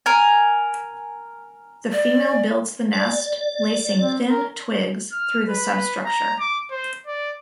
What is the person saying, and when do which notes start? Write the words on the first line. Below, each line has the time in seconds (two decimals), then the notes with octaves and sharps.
The female builds the nest, lacing thin twigs through the substructure.
0.06 A#4 G#5
1.92 D5
2.93 D5
4.00 C4
4.30 A#4
5.12 F6
5.48 B4
6.05 A#5
6.40 D6
6.71 C5
7.07 D5